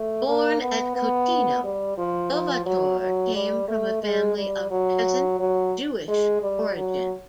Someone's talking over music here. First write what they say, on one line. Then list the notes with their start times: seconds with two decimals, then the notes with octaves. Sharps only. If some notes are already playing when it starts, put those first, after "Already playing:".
Born at Khotino, Dovator came from a family of peasant Jewish origin.
Already playing: A3
0.27 A#3
0.62 B3
0.96 B3
1.64 G3
1.98 F3
2.32 F3
2.66 F#3
3.00 F#3
3.35 G3
3.68 A3
4.03 G#3
4.37 G3
4.71 F#3
5.39 F#3
6.08 G#3
6.42 G3
6.76 F#3